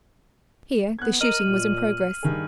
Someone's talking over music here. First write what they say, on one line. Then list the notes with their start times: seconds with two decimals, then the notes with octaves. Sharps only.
Here the shooting was in progress.
0.99 B3 F#6 G#6
1.21 A#4 D#5 F6 D#7 F#7
1.44 A#2
2.23 G2 D#3 G#4